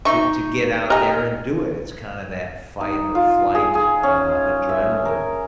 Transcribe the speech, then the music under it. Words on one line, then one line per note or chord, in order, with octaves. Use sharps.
to to get out there and do it. It's kinda that fight or flight, uh, adrenaline,
D#4 E5 C#6
G4 D#5 G#5 A#5 F6
D#4
F4
G#4
G#4
C#4
E5
A#4